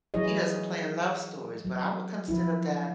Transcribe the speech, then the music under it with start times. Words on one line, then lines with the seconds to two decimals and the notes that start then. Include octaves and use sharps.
he doesn't play in love stories, but I would consider that
0.14 E3 F#3 E4 G#4 C#5 D#5
1.65 F#3
2.28 F3 E4